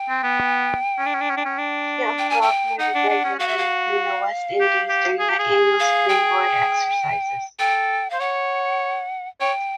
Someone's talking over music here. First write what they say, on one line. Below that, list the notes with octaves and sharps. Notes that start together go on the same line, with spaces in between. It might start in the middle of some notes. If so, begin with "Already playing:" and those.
She also operated regularly in the West Indies during the annual "Springboard" exercises.
Already playing: G5
C4
B3
C#4
D4
C#4
D4
C#4
D4
C#4
D4
G5
G#5
G5
D#4 F#5
D4
D4
C#4
F#4 F5
E5
F5
G4
G4
G#4
G4
G#4
F5
G5
A4 G5
C5 F5
C#5 F#5
C#5 G5